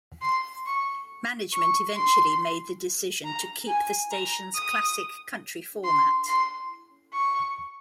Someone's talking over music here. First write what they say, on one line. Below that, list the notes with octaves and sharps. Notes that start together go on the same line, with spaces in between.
Management eventually made the decision to keep the station's classic country format.
C6
C#6
C#6
C6
A#5
G#5
A#5
D#6
C6
C6
C#6